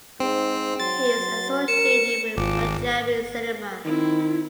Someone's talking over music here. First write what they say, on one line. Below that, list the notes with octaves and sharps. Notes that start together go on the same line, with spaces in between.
He is associated with Punjabi cinema.
G#2 C4
F#3 C6 A6
F#3
A#4 C#7 E7
G#1 F4 D6
D#3 C4 E4